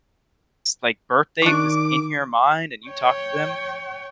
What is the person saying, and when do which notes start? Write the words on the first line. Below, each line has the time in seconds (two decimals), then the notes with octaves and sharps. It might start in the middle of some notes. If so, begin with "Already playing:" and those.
like, birthday was in your mind and you talked to them
1.42 D#3 D4 C#6 D6
2.88 C#5 G5